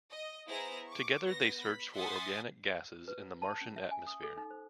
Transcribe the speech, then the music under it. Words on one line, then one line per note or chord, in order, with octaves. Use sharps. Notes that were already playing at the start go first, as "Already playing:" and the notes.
Together they searched for organic gases in the Martian atmosphere.
D#5
B3 E4 G#4 C5 A#5 A#6
C#6 D6
B3 A#6
B5
E5 F#5 G#5 C6 D#6 A6
B4
B4
A5
C#4
E5
G#5
D#6
A4
D#4
C5